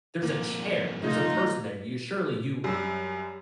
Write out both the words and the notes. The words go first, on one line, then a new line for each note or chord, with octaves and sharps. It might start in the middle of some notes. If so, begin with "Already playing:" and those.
there's a chair, there's a person there, you surely you
F2 G#2 A#3
A3 D#4 F4
F#2 G3 E6